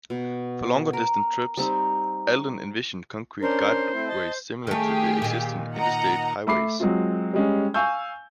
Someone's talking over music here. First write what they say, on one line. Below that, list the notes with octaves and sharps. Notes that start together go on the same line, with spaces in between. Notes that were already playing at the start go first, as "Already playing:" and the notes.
For longer distance trips, Alden envisioned concrete guideways similar to the existing interstate highways.
B2
A#4
G3 C4 D#4
C#4 D4 A#4 C5
A3 C4 E4
D#5 A5
D#3 A3 G4 G#4
A#2 D#3
D#5 F#5 A#5
A3 B5 D6 C7
F#3 G#3 C4 F4
G3 G#3 C#4
F5 G#5 C#6 E6 G6